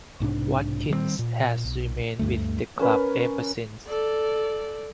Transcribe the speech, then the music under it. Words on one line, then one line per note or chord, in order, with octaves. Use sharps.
Watkins has remained with the club ever since.
B1 G#2 C3 D4
D#3 G3 G#3 C4
A#2
B1
D2 G2 D3 A3
C#4 A#4 B4
A4 D5